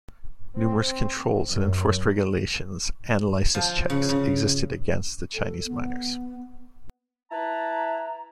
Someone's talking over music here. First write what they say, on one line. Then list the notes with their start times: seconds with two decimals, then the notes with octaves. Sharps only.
Numerous controls and enforced regulations and licence checks existed against the Chinese miners.
0.58 C4
1.51 F#2
3.55 F3
3.90 C#3
4.09 C#3
5.34 A4
5.65 B3
7.31 E4 B4 A5 A#5